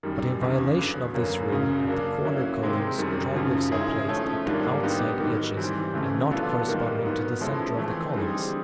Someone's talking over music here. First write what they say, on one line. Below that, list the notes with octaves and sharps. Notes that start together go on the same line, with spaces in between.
But in violation of this rule, at the corner columns triglyphs are placed at the outside edges and not corresponding to the centre of the columns.
F#2 D#3 G3
E2 C#3 E3
D3 F#3 B3
F#2 D3 F#3 A#3 C#4
F#2 C#3 F#3
F#3 A#3 D4
D3 F#3 A#3 C#4 E4
C3 D#3 G#3 C4
F#2 D#3 G3
F#2 C#3 F3
D#3 G#3 C#4 E4 G#4
F3 A3 C#4
G#2 D#3 G3 A#3 D4
D3 G3 B3 D#4 G4
G#2 D#3 F#3
E3 G3 C4
C#3 E3 A3
F#3 B3 D4 F4 A4
G#2 D#3 G3 A#3
D#3 F#3 B3
F3 G#3 C#4 E4 A4
E3 A3 C4
D3 G3 C4 D#4 G#4